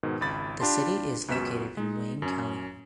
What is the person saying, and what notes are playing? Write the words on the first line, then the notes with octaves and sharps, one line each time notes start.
The city is located in Wayne County.
G#2 B2 D#3
G#1 C#2 B5 A6
D4 F4 G4 A5 B5 C6
C#2 F#2 B3 F#4 B6 E7
G#3 D#4
F#2 C#4